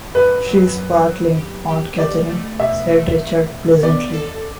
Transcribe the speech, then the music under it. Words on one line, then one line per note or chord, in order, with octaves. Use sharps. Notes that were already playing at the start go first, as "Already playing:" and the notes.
"She's sparkling, Aunt Catherine," said Richard pleasantly.
Already playing: A2
F#2 B4
F#3
F#2
F#3
G4
G4
A3 D5
A3
B2 E5
A3
A3
B2
B3 D5
A4